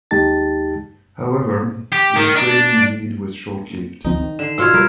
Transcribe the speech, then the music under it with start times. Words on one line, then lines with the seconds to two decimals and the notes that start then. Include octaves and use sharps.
However, the Australian lead was short-lived.
0.11 D#2 G#3 D#4 G4 A5 A6
1.92 G4
2.16 D#3
2.35 D4
4.05 D2 F3 C4 D#4
4.19 D#3
4.39 D3 C7 E7
4.58 B2 F4 C#5 E6 F6 G#6
4.74 G3 A#4 B4